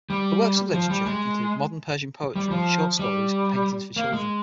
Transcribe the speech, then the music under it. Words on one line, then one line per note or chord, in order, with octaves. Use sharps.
Her works of literature include modern Persian poetry, short stories, and paintings for children.
G3
F3
G3
G#3
G3
F3
G3
A#3
G#3